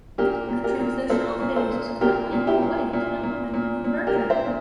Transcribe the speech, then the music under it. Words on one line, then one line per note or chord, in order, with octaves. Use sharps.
A transitional phase is currently underway to implement the new version.
A#2 G4 A#4
A#2
G4 A#4
A#2
A#2 A4 C5
A#2
A4 C5
A#2
A#2 G4 A#4
A#2
E4 G4
A#2
A#2
A#2
A#2
A#2
G4 A#4
A#2
C5 E5
A#2